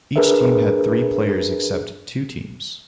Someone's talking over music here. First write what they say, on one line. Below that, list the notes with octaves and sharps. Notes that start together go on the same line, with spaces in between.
Each team had three players except two teams.
D4 G#4 A#4 B4 E5